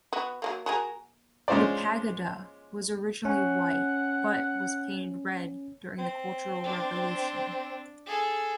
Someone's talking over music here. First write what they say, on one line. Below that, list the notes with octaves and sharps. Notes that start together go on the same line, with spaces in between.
The Pagoda was originally white, but was painted red during the cultural revolution.
B3 F#4
F#3 A3 A#3
F#4 G#4 A#4
G#3 C#4 F4 C5 D5
C#4 F#5
C4
D4
G#4 A4